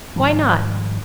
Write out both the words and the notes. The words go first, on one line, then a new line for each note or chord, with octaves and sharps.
"Why not?"
G#2 D#3 F3 G3